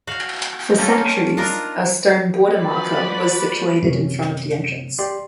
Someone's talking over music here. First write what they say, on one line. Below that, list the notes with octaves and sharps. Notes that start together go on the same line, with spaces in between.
For centuries a stone border marker was situated in front of the entrance.
F#4 F5
A#3 C#4 F4 A4
D4 D#4 F4 A#4
F3 F#4 B4 D5 B5
F#2 C3 C#4
G4 D5 C6